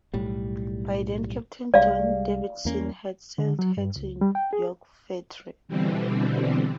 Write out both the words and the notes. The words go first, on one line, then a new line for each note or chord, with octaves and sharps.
By then Captain John Davidson had sailed her to York Factory.
B1 A2 G3
C2 G3 G#3 D5 F5
E2 A#3 C#4
D3
F#3
G2
C#2
G3
G5
G#4
B2 D3 E3 G3 C4